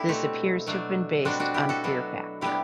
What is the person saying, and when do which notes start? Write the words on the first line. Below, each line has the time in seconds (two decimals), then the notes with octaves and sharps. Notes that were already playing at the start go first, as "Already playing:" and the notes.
This appears to have been based on "Fear Factor".
Already playing: D4 E4 G4 A4
0.08 B2 A3 C4
0.67 B2 F#3 A3 D4
1.25 B2 G3 C4 D4 F#4
1.40 D4 F#4
1.54 E4 G4
1.69 F#4 A4
1.84 B2 F#3 B3 D4
2.41 C3 G3 B3 D4 E4 G4